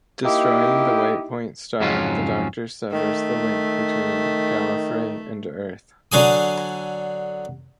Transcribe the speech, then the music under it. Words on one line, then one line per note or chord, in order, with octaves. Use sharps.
Destroying the White Point Star, the Doctor severs the link between Gallifrey and Earth.
A#3 D#4 E4 G4
F2 G#2 C#3 F#3 C#4 F4
D#3 A3
D3 F#3 G#4 D#6